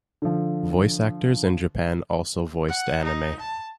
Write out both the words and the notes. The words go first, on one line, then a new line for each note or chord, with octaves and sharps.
Voice actors in Japan also voiced anime.
D3 F3
F#5
D#4
A5